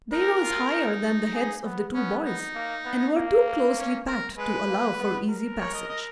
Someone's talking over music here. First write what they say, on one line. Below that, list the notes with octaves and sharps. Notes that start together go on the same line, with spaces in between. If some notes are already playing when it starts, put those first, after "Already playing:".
They rose higher than the heads of the two boys and were too closely packed to allow for easy passage.
D#4 A#4
F4
D#4
G#4
B3
B3 C#4
D#4
A#3
B3
A#3
C#4
A#4
G#3 B4
A#3
B3
A#4
C#5
D#5
D#5